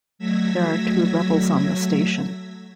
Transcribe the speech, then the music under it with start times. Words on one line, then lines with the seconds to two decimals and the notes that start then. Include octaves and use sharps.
There are two levels on the station.
0.19 F#3 A3 E6 G#6 A#6 B6